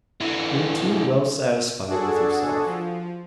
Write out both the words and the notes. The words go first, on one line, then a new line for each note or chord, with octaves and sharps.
You're too well satisfied with yourself.
D3 E3
D4 F#4 G#4 A4
F3